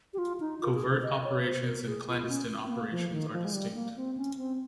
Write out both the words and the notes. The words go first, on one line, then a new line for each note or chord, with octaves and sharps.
Covert operations and clandestine operations are distinct.
G4
F4
D#4
F4
G#4
C5
D#5
C#5
C5
A#4
G#4
F4
C#4
C4
A#3
F3
D#3
F3
G#3
G3
A#3
C4
C#4
C4